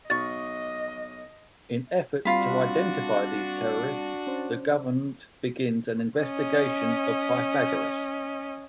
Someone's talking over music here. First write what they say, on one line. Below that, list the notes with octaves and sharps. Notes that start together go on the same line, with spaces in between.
In efforts to identify these terrorists, the government begins an investigation of Pythagoras.
B1 D#5 C#6 A6
G3 C4 D4 F4 F#4 F5 B5
C#4 C5
C#4 D#5